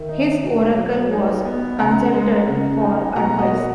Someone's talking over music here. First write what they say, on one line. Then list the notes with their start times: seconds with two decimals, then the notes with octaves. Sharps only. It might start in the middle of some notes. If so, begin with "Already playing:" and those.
His oracle was consulted for advice.
Already playing: D#3 E5
0.09 D#4
0.42 B2
0.77 F#3
1.11 D#4
1.45 B3
1.79 C#3 F#5 A#5
2.13 G#3
2.47 C#3
2.81 D#4
3.15 B2 F#5 A#5
3.39 D#5 F#5
3.50 A#3